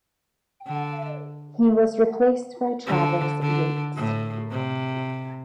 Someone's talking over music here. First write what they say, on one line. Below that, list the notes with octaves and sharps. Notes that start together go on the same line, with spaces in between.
He was replaced by Travis Yates.
D3
D3
D3
A2
C3